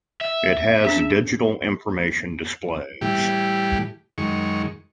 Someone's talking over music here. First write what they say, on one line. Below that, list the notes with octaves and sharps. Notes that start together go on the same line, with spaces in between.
It has digital information displays.
E5
C#4 D4 G#4
A2 E3 G3 G4
F#2 D#3 G#3 C#6